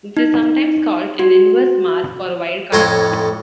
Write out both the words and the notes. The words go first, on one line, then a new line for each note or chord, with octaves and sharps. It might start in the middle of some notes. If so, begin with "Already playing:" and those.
This is sometimes called an inverse mask or a wildcard mask.
D#4
F#4
F2 A2 C#5 A#5 C6